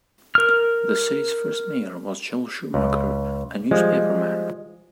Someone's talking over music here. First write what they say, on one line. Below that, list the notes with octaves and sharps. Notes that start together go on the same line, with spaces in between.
The city's first mayor was Joel Shomaker, a newspaperman.
A#4 F6
C#2
F3 G3 G#3